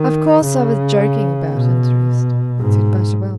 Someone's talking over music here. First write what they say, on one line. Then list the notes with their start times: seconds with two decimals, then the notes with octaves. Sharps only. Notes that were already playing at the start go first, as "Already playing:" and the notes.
"Of course I was joking about interest," said Butterwell.
Already playing: D#3
0.45 C#3
1.53 B2
2.60 G#2